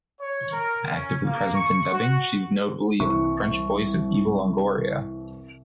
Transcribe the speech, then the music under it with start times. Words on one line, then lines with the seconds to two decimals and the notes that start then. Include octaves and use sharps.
Actively present in dubbing, she’s notably the French voice of Eva Longoria.
0.20 C#5
0.52 A#4
0.94 C#4
1.26 A#3
1.55 C#6
1.92 F#4
3.00 C2 E3 C#6